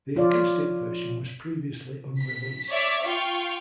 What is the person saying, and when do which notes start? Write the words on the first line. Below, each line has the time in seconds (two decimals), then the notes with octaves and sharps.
The acoustic version was previously unreleased.
0.15 F3 F4 C#5 D5
2.19 B6
2.71 C#5 D5 E5 C#6 D6
3.04 F4 F5 G5 C#6